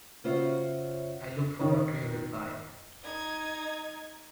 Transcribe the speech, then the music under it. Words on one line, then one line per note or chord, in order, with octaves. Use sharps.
I look forward to your reply.
C#3 C#4 F4 F#4 C5 E5
D#3
D#4 G#6